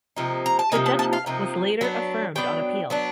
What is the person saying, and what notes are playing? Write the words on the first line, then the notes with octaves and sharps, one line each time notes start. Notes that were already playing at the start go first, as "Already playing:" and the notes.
The judgment was later affirmed on appeal.
C3 F3 A#3 D#4
A#5
A5
C3 F3 A#3 D#4 G#5
A5
A5
F5
C3 F3 A#3 D#4
F#3 B3 D4
F#3 B3 D4 G5
F#3 B3 D4